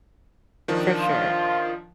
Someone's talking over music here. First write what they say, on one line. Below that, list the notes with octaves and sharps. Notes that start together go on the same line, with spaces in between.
For sure.
D#3 F3 D4
F4 C6